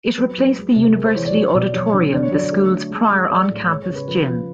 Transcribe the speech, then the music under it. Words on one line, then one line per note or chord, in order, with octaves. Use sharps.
It replaced the University Auditorium, the school's prior on-campus gym.
F#3 B4
F#3
G#3
C3
G#3 A#4
C5
E3 C#5
D5
F#3 C#5
B2 D5
F#3 C#5
D3
D3 D5
C#5
F#3 D5
C#5
A3
A3
G#3
G#3
F#3 D5
A2
G#3 C#5
C#5
C#3
B4
F3 B4
F3